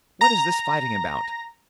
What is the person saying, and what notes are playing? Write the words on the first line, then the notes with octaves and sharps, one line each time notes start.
What is this fighting about?
A#5 A#6